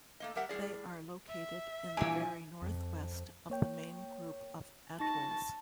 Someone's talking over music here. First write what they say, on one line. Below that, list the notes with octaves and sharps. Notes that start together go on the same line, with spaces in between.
They are located in the very northwest of the main group of atolls.
A3 A#3 D#5
G3 G4 A#4 E5 F#5
A2 G3 D#4 G#4 D5
E5
G2 A#2 E3 G#5
F2
A#3 C#5 G5
D#4 A5 C#6 A#6